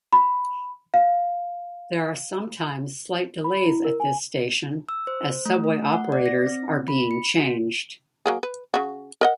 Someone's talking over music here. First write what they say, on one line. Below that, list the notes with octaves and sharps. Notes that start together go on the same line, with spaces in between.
There are sometimes slight delays at this station as subway operators are being changed.
B5
F5
B5
E4
A#4
G#5
E6
C5
A3
A3
F#5
D5
A#6
C4
B5
C#7
F#4
F#3 A#3 G#4
B4
C#3 F#4
A#4 D#5 F#5